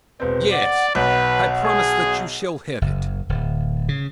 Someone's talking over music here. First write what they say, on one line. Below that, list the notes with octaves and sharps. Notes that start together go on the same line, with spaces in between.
'Yes, I promise that you shall have it.'
E1 C4 B4
D5 F#5 F#7
B1 B4 F#5
G#4
F#1
D1
C#3